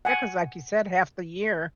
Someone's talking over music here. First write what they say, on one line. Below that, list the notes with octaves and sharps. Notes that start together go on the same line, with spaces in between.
Yeah, 'cause like you said, half the year,
F#5 G#5